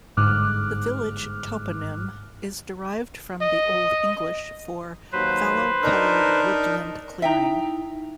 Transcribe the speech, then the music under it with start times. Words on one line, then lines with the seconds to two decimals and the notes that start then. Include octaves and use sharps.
The village toponym is derived from the Old English for "fallow-coloured woodland clearing".
0.17 G1 G#2 D6 F6 F#6
3.41 D#5
5.12 D#2 F#3 B4 C5
5.83 D4 D#4 A#4
7.22 D#4 E4 E5 G5 A#5